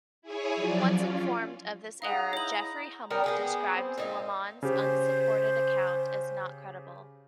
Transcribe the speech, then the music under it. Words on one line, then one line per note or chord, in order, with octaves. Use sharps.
Once informed of this error, Jeffrey Hummel described Lamon's unsupported account as not credible.
E4 G#4 C#5 G#5
F3 F#3 D5
C#4 F4
D#4 G#4 D#5 F5 F#5 A#5 D#6
D#4 E4 C#5 F#7
G3 B3 C#4 A#4
A#3 B3 G4 G#4
C4
A#2 D#4 F5
C#3 G4 C5